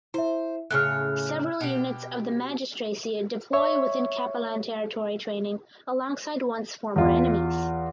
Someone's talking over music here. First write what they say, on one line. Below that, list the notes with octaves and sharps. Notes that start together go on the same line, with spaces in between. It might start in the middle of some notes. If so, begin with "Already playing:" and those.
Several units of the magistracy deploy within Capellan territory training alongside once former enemies.
E4 C5 E5
A2 C#3 C#5 F6 F#6
B2 G4
C#5 E5 C#6
E2 F4